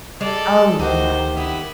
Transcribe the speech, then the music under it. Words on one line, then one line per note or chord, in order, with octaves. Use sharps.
Oh, yeah.
G3 G#3 A4 D5
D2 D#3 D#4 F#4 G4 C5
B3 E4